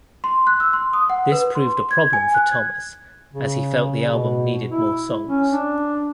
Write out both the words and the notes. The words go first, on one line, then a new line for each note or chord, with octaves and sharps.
This proved a problem for Thomas as he felt the album needed more songs.
C6
F#6
E6
C6
D#6
F#5
B4
C6
G#6
G#5
F#6
G#6
C#3
B2
E4
C#4
D4